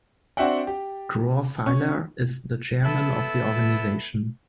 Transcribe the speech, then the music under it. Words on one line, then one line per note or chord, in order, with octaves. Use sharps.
Dror Feiler is the chairman of the organization.
C4 D4 F#4 E5 F#5 G5
G4
C#4
B3 E4 A4